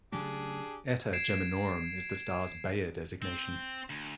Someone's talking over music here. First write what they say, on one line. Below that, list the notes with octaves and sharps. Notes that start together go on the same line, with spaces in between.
"Eta Geminorum" is the star's Bayer designation.
C#3 F#3 A3 D4 G4 G#4
G#6 C7 D7 E7
C4
D2